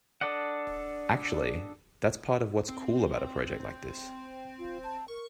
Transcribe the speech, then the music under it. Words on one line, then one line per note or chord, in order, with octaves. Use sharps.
Actually that's part of what's cool about a project like this.
D4 A4 D5 D#5 F#5
C4
F4
A5
A#4 C#6